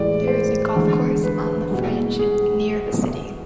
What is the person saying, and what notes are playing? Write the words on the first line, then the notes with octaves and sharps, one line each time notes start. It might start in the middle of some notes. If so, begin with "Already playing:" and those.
There is a golf course on the fringe near the city.
Already playing: A1 A2 G#3 D5
C5
E2 D3 G#3
B4
C2 B2 G#3
G#4